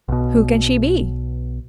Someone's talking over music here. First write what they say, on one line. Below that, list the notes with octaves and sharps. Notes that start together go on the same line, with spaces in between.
Who can she be?
B1 B2